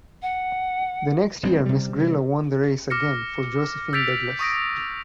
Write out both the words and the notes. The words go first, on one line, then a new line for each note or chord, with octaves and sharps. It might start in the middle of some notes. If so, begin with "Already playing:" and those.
The next year Miss Grillo won the race again for Josephine Douglas.
F#5
A1 D2 G3 C4
C3 G3
D6 F6 A#6 C#7
E6 G6 A6 B6 D7 F7
C#6 D#6 A#6 D7